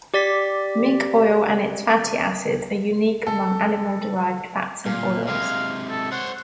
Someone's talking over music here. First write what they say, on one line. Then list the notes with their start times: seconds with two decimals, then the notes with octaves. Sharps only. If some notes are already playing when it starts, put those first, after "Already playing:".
Mink oil and its fatty acids are unique among animal-derived fats and oils.
0.14 G4 D5 A6 B6
3.27 A4
4.86 A#2 F5
5.27 C3 G#3 F5
5.90 A4
6.12 C5 C#5 F#5